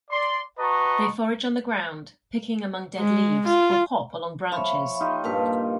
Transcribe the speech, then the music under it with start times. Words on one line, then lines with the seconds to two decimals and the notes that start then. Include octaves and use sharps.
They forage on the ground, picking among dead leaves, or hop along branches.
0.11 D5 C6
0.59 F#4 B4 D#5 A5 A#5 C#6
2.98 G#3
3.47 F4
4.52 F3 C#5 E5 F5 B5
5.00 D#4 F4 G4
5.24 G2 A#2 B4 F5 A5